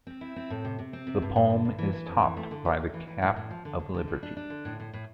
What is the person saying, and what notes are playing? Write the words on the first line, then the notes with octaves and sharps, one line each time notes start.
The palm is topped by the Cap of Liberty.
C4
E4
C4
A2
C3
C3
C4
C3
G2
G2
D3
G2
E3
E3
F2
E3
A3
D3
A3
A3
E3
E3
A2
A2
F3
D3
D3
D3
G3
D4
D4
D3
A2
A2
A2